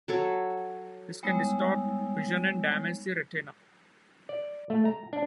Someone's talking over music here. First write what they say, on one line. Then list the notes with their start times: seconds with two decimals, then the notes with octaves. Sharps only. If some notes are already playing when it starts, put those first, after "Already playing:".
This can distort vision and damage the retina.
0.08 F#3 A4 C#5
1.23 G3 G#3 B3 D#4 C#5 E6
4.29 D5
4.70 A3
4.85 A#5
5.13 D4